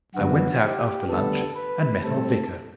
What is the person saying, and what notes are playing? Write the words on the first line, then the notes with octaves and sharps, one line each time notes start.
I went out after lunch, and met our Vicar.
F#2 D3 F#3 B3 F#4
G4
D2 D3 G3 B3 A4
B4
A2 G3 C4 A4